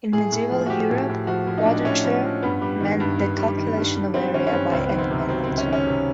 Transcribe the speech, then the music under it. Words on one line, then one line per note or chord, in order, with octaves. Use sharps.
In medieval Europe, quadrature meant the calculation of area by any method.
A2 G#4
A2
F3
F#4
F3 G4
A2
A2
F3 F#4
F3
D#4
A2 D4
A2 C#4
F3
F3
G2 B3
G3
D#3
G2
G2
G3
D#3
G2
G2
G3 C4
D#3 C#4
C#4
G2 C4
C#2 C4
B3
D#3
C4
C3
F#3 C4
C#2 C4
C#4
D#3
C#4
C3